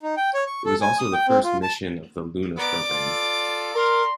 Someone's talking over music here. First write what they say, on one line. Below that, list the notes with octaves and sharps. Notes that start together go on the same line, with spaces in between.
It was also the first mission of the Luna programme.
D#4
G5
C#5
C#6
A4
G#5
D#6
G5
C4
F4
A5
B3 A#4 D5 D6
F4 A4
A#4 A#5 C6